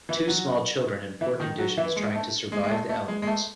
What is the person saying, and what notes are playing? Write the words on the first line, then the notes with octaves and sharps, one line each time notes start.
Two small children in poor conditions trying to survive the elements.
E3 E4
F#3 F#4
E3 E4
D#3 D#4
F#3 F#4
E3 E4
G#3
A3
G#3
G#3
A3
A3
G#3
G#3
A3